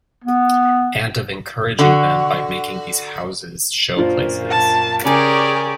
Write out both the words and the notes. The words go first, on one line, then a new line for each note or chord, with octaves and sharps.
And of encouraging them by making these houses show-places.
B3
D3 F#4
F#2 A#2 A#3 D4 F4 C5
A5
C#3 G4 G#4 A#4 C#5 D5 G#5 D6